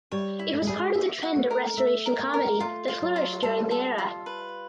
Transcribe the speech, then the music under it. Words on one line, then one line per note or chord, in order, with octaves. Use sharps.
It was part of the trend of Restoration Comedy that flourished during the era.
G3 C#5
E4
A3
G#3
G3 G#4
G#3
A#3 E5
F#4
A3
A#4
A3 E5
A#4
A#3
A#4
A3 F4
F4
F#3
F4
G3 A4
A4
F4
B4